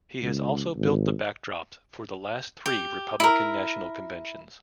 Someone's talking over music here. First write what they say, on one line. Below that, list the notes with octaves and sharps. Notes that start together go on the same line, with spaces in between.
He has also built the backdrops for the last three Republican National Conventions.
C#2
G#1
G4
E4 A#4